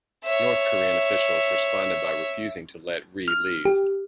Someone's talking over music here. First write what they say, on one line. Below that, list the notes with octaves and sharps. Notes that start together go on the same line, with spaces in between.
North Korean officials responded by refusing to let Ri leave.
C#5 E5
F6
G4